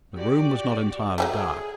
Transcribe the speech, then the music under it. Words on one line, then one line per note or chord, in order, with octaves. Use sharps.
The room was not entirely dark.
F#4 G4 D5
F#3 G3 A3 G#4